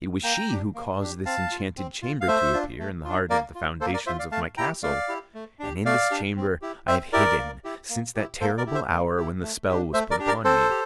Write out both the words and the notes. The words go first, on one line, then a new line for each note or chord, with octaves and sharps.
It was she who caused this enchanted chamber to appear in the heart of the foundations of my castle; and in this chamber I have hidden since that terrible hour when the spell was put upon me.
A#3 G5 A#5
D4 G4
A#3
D4 G4
C4 F5 A5
F4
C4
F4
F5
A3 C5 E5
D4 F4
A3
D4 F4
A#3 A#4 D5
F4
A#3 A4 C5
A#4 D5
F4 C5 E5
D5 F5
A3 F5 A5
E4 G4 G5 A#5
A3 D5 F5
E4 G4
A3
D4 G4
A3 D5 F5
D4 G4
C4
E4 G4
C4 C5 E5
E4 G4 A#4 D5
A#3
E4 G4
A#3
E4 G4
A#3 A4 C5
A#4 D5
E4 G4
C5 E5
A#3
E4 G4
A3
D4 G4
A3 C5 E5
A#4 D5
D4 G4
A#4 D5
C4 A4 C5
G4